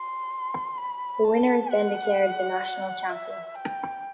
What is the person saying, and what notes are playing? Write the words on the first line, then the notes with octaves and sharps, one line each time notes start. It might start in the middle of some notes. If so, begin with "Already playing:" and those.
The winner is then declared the national champions.
Already playing: C6
B5
A5
F#5
E5
G5